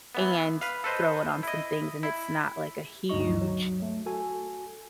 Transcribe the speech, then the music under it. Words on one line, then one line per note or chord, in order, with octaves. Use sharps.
and throw it on some things, and it's not, like, a huge
E3 B3
B4 F5
A4 B4 C5 D#5
E4 D#5
E4
D2 G2 F#3 D#4 D#5 C#6
F#3
A3
F#4 A4 G#5